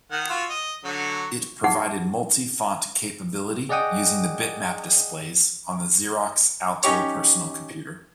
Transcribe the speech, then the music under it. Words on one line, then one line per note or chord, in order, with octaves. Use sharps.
It provided multi-font capability using the bitmap displays on the Xerox Alto personal computer.
D#3 F#5
F4 F#4 E6
D#5
D3 F#3
D#4 G#4 F#5
G#4 D5 D#5 F#5 G5 D#6
C#4 D#4 G4 C#5